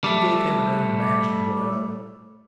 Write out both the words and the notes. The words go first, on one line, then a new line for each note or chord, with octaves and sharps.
She gave him an unimaginable hell.
G3 A3